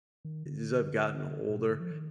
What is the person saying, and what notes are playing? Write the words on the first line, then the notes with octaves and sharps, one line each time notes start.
as I've gotten older,
D#3
D3
A#2
C3
D3
F3
D#3